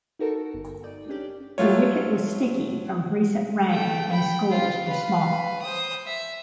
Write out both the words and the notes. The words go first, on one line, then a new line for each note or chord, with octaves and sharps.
The wicket was sticky, from recent rain, and scores were small.
D#4 F#4 A4 A#4
G1
D#4 D5
C#4 D4 G4 D5
F#3 A3 F4 C#5
A3 G5
G5 B5
F4
B4 F5
C5 D#6
E5